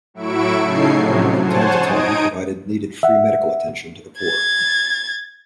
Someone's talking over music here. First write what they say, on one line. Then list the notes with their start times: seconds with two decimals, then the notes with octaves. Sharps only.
From time to time provided needed free medical attention to the poor.
0.14 A2 F#3 E4 C#6 E6 D7
0.61 C#3 C#4 D#4 A4 G#6 C7
0.93 A2 C3 F3 F#3
1.38 C5 C#5 F#5 G#5 A5
1.80 D#4 D#6 G#6 D7
3.03 E5 F#5
4.21 G#6 A6